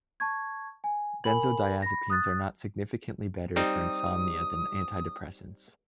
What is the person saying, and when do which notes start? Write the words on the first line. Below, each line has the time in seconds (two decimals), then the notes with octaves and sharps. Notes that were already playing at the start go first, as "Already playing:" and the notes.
Benzodiazepines are not significantly better for insomnia than antidepressants.
0.20 A5 C#6 G#6
0.84 G#5
1.24 A#4 G#5 B5 F#7
1.82 B5 A#6
2.10 D#6 F#6 A6
3.56 G3 C4 D#4 D#6